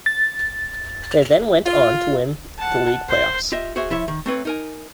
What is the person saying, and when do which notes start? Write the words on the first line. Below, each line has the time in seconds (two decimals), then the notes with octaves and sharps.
They then went on to win the league playoffs.
0.06 A6
1.65 F4
2.59 F#5 A5
3.09 C5
3.52 F4 G4 D#5 E5
3.76 F#4 G#4 C5 E5
3.90 F3 E4 C#5 E5
4.08 D#3
4.26 A3 C4 B4 C#5
4.45 D#4 A#4 G#5